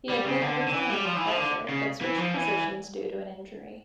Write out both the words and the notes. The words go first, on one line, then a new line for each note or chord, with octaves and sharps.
He had been originally a catcher but switched positions due to an injury.
G3
C#3
D3
D3
E3
G3
F3
E3
F3
D3
C#3
E3
F3
E3